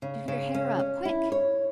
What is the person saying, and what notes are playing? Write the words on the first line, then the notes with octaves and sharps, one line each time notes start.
"Do your hair up--quick!"
C#3
C#3
C#4
C#4
E4
C#5